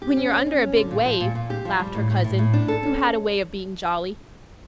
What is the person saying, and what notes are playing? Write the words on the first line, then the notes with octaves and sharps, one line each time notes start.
"When you are under a big wave," laughed her cousin, who had a way of being jolly.
G4
C#4
C#4
C#4
C#4
D3
A#2
F3
A#2
A#2
G4
F3
G3
A2
A2
A2
A2
D4
A4
C#4